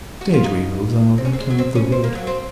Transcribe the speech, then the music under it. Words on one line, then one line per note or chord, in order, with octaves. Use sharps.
Stage-wheels are rattling up the road.
F#4
F4
D#4
C4
C#4
C4
G#3
F#3
C4
C#4
C4
A#3
F#3
C4